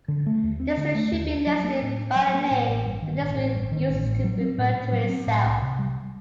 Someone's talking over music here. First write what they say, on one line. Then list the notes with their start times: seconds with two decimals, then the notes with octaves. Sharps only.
Districts should be listed by the name the district uses to refer to itself.
0.08 D3
0.26 A3
0.44 D#2
0.60 C4
0.77 D3
0.95 A3
1.12 D#2
1.29 D4
1.47 F#3
1.64 A#3
1.82 A2
1.99 D4
2.16 F#3
2.33 A#3
2.51 A2
2.68 A1
2.86 G2
3.02 D#3
3.20 A1
3.37 A1
3.55 G2
3.71 D#3
3.89 A1
4.06 A2
4.24 F#3
4.41 C4
4.58 A2
4.75 A2
4.92 F#3
5.10 C4
5.27 A2
5.44 C2
5.62 C3
5.79 G3